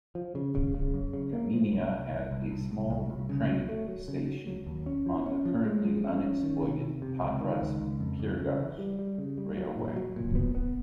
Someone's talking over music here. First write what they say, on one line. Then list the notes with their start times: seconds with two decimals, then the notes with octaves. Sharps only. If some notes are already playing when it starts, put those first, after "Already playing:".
Kaminia had a small train station on the currently unexploited Patras-Pyrgos railway.
0.15 F3
0.35 C#3
0.55 C#3
0.75 C#3
0.94 F#2
1.13 C#3
1.33 A#3
1.53 F3
1.72 C2
1.92 C2
2.12 C2
2.31 C2
2.51 C2
2.71 C2
2.90 C2
3.10 C2
3.29 C#3
3.49 F#3
3.69 A3
3.88 F#3
4.08 C#3
4.27 F#3
4.47 F#3
4.66 D#2
4.86 C#4
5.06 F3
5.26 C#4
5.45 F3
5.65 G#3
5.84 F3
6.04 C#4
6.24 C#4
6.43 D#3
6.63 C3
6.82 C3
7.02 C3
7.22 C#2
7.41 D#3
7.61 C#2
7.80 C#2
8.00 F2
8.20 F2
8.39 C#3
8.60 E3
8.79 G3
8.99 G3
9.18 C#3
9.38 G3
9.57 F#3
9.76 A#2
9.96 F#3
10.16 A#2
10.35 B3
10.55 B3